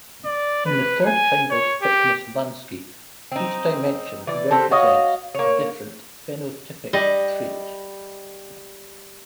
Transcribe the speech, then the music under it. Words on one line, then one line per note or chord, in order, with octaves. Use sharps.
In the third kind of fitness landscape, each dimension represents a different phenotypic trait.
D5
B4
G#5
C#5
G4
C4 D#4
E3 D5
C4 G4 A4
F#4 C#5 D#5 F5
A#3 C#5
G3 D#5